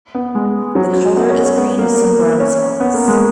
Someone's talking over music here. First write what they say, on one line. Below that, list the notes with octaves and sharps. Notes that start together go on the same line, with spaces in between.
The colour is green with some brown spots.
B3
G#3
F#3
B3
C#4
C#4
B3
A#3
C#4
B3
A#3
G#3